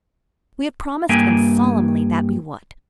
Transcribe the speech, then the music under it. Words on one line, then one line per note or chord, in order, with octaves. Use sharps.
We have promised them solemnly that we would.
G2 A#3 G5 G#5